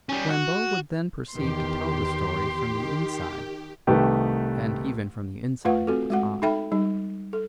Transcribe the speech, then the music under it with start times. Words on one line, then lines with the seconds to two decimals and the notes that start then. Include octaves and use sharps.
Flambeau would then proceed to tell the story from the inside; and even from the inside it was odd.
0.09 G3 C#4
0.30 F#4
1.34 E2 D#3 G4 C6
2.72 D#3
3.87 C2 D#3 A3 G4 B4 G5
5.65 A3 F4 B4 F5 F#5
5.87 C4 F#4 A4
6.10 G#3 F#4 F#5
6.42 D#4 A4 E5 G5 B5
6.72 G3 D#4
7.33 A4